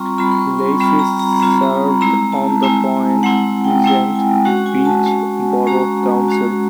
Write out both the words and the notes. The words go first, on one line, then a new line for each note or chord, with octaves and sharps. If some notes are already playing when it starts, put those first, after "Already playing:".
Lacey served on the Point Pleasant Beach Borough Council.
Already playing: G3 C4 F4 A#5 C6 C#6
G3 C4 F4 B5
C6
C#6
C6
G3 C4 F4 B5
A#5
A#5
G3 C4 F4 A#5
B5
A#5
G#3 C4 E4 A#5
A5
G#3 C4 E4 G#5
G#3 C4 E4 F#5
G5
G#3 C4 E4 G5
G#5
G#3 C#4 F#4 F#5
G#5
A5
G#3 C#4 F#4
G#3 C#4 F#4 A#5
G#3 C#4 F#4